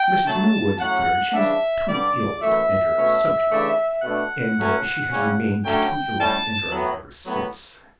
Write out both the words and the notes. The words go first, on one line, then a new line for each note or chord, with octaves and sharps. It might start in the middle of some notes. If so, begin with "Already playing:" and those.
Mrs. Milroy declared she was too ill to enter on the subject, and she has remained too ill to enter on it ever since.
Already playing: G5
D3 F#3 A3 A5
A2 F#3 C#4 F#5
C#3 E3 G3 D4 E5
G2 D3 G3 D5
F#2 E3 A3 E5
B2 A3 C#4
C#3 E3 A3 D4
B2 A3 D4 F#5
A2 F#3 A3 C#4
C#3 G3 C#4
D3 F#3 A3 C#4 G5
A2 G3 C#4 A5
A2 F#3 B3
A2 F#3 B3